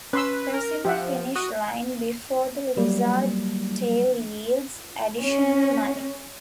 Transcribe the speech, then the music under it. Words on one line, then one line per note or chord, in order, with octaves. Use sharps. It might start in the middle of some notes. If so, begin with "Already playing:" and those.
Crossing the finish line before the Lizard Tail yields additional money.
C#4 B4 C6 E6
A#4
F3 G4 E5 F#5
F#4 D#6
F#3 G3 A#3
C#4